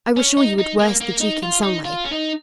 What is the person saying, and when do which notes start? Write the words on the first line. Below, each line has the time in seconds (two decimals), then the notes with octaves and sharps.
I was sure you would worst the duke in some way.
0.17 C#4
0.37 D#4
0.58 D#4
0.79 A#3
1.00 A#3
1.21 D#4
1.43 F4
1.63 D#4
1.85 F4
2.04 C#4
2.12 D#4